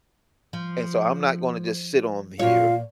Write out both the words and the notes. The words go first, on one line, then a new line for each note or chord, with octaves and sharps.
and so, I'm not gonna just sit on here,
F3
A#2 F4 C#5 F5